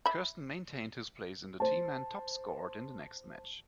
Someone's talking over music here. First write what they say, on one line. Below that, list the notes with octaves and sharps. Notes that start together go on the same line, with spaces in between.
Kirsten maintained his place in the team and top scored in the next match.
E5 B5
C5 A5